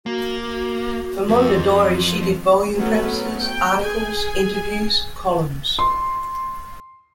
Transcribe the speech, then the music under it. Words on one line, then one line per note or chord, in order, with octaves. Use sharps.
For Mondadori she did volume prefaces, articles, interviews, columns.
A#3 F#4
F#4
F2
F#3 A3 B3 C#4
G5
G#4 G#5
C6